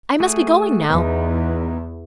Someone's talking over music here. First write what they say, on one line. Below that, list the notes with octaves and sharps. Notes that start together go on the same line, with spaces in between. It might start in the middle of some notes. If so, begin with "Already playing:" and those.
I must be going now.
A3 F#4 G#4
E2 B3 D#4